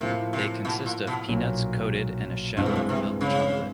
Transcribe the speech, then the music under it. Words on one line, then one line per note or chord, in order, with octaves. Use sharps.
They consist of peanuts coated in a shell of milk chocolate.
A2 C3 F3 A#3
C3
B2
A#2
B2
B1 A#2 F#3
G2 A#2 E3 G#3 C4
B2
A#2
C3
C#3